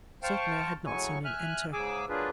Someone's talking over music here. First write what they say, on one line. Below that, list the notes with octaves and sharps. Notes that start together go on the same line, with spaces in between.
Certainly, I had not seen him enter.
C5 F5 G5 A5 C#6
A2 C#3 F#3 G#5 C#6
E5 G#5 F6 F#6
G#2 C#3 G#4 G#5 D6 E6
F#3 A#3 D4 F4 G#4 B4